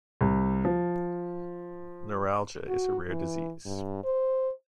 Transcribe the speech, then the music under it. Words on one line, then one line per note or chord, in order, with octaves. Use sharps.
Neuralgia is a rare disease.
C2
F3
F#4
E3
G2
C5